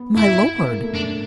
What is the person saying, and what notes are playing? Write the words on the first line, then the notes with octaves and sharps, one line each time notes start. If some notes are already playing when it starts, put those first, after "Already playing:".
"My lord!"
Already playing: B3
E4
B3
A#3
A3
D4